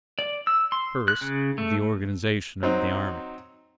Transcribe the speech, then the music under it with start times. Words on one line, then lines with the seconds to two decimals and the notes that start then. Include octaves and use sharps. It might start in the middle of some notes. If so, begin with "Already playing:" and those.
First, the organization of the army.
0.19 D5
0.47 E6
0.72 C6
1.08 F#6
1.21 C#3
1.58 A3
2.63 F#3 C4 D#4